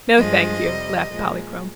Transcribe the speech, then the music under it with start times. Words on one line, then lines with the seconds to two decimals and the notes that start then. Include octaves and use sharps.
"No, thank you," laughed Polychrome.
0.19 G2 F3 G#3 D#5
0.65 F2 C3 G3
1.12 A#2 F3 G#3